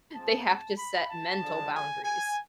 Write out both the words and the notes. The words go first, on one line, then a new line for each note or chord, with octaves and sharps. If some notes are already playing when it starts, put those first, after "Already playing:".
they have to set mental boundaries.
A2 F3 G#3 C4 A5
A5
B5
A5
D3 F3 G#3 D4
G#5
G#5